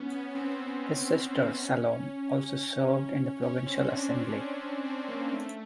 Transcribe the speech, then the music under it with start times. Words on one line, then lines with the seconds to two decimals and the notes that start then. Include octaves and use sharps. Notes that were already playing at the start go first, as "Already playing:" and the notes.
His sister Salome also served in the provincial assembly.
Already playing: B3 C#4
0.11 C#4
0.35 C4
0.59 C#4
3.42 C#4
3.66 C4
3.90 D4
4.14 D4
4.38 D4
4.61 C#4
4.85 C4
5.08 A#3
5.32 A3